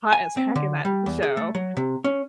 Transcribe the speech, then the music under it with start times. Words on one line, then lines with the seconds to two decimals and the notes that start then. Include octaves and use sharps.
hot as heck in that show,
0.13 G#5
0.37 C4
0.55 D3
0.85 G3
1.06 E2
1.23 G#4
1.37 A3
1.55 F#3
1.77 C3
2.04 C#4